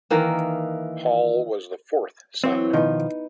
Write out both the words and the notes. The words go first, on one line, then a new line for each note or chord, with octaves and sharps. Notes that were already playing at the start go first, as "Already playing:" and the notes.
Hall was the fourth son.
D#3 E3 A#3
E3 F#3 C4
B2 D#3 F3 B3 D#4